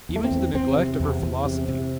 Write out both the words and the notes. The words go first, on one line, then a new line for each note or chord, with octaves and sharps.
Even to the neglect of her philosophy.
E2
A3
C4
E2
E2 C4
C3
E2
E2
C3
C3